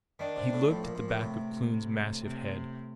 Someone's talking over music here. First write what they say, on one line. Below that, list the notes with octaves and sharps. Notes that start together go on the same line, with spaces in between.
He looked at the back of Kloon's massive head.
D#3 D4
C3
A2
A2 F3
A#2
A#2
A#2
A2 C3
C3